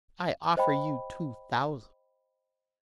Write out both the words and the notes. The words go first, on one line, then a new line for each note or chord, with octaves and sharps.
"I offer you two thousand."
C5 D#5 F5 G5 B5